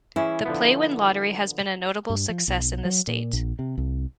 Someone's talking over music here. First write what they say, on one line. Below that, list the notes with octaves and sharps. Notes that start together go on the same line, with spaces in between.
The Playwin lottery has been a notable success in the state.
E3 C#4 E4 G#4
D3 F3 B3
G2
F3
B1
F#3
A#2
A#1
C3
C2